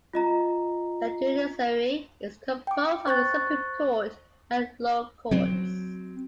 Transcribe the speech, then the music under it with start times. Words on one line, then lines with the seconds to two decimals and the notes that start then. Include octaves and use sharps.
The judiciary is composed of the Supreme Court and lower courts.
0.13 F4 D#5 A#5
2.67 G5 D6
3.07 C5 C#6 F#6 A6
5.31 F#3 C4